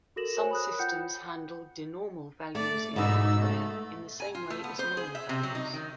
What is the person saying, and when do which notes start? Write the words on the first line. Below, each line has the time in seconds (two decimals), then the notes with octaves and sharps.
Some systems handle denormal values in hardware, in the same way as normal values.
0.16 F#4 A4 A#4 A#6 E7 F#7
0.37 A#4 C5 C#5 G#5
0.51 B5 D#6 F#6
0.79 F4 F#5 G5 G6 C#7
2.55 A3 D5
2.96 G#2 B2 D#4 E6
3.39 A3
4.20 G#5
4.35 F4
4.50 A3
4.64 B3
4.79 C5
4.97 G#4
5.15 E5
5.29 C3
5.43 F#3
5.55 D#4
5.73 D#3